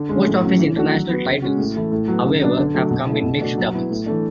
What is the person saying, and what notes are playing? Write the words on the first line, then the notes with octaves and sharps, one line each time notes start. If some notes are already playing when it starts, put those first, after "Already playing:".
Most of his international titles, however, have come in mixed doubles.
Already playing: D3
G#3 C#4
A2
F#3 C#4
E3
A3 D4 F#4
F#3
B3 F#4
C#3
G#3 C#4 F#4
A2
E3 A3 E4
A2
F#3 B3
C#3
F#3 B3 D4
D3
F#3 A3
B2
A3 E4
B2
A3 D4 F#4
F#3
B3 E4
A2
E3 A3 D4